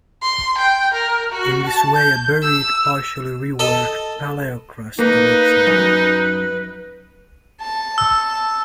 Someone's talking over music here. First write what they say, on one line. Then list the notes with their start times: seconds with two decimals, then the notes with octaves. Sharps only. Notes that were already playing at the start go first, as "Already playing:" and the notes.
In this way a buried, partially reworked paleokarst originated.
0.22 C6
0.58 G5
0.94 A#4
1.32 F#4
1.67 A5
1.96 G6
2.42 E6
3.59 A4 D#5
4.99 A#3 D#4 B4
5.67 F#2
7.61 A5
7.98 E6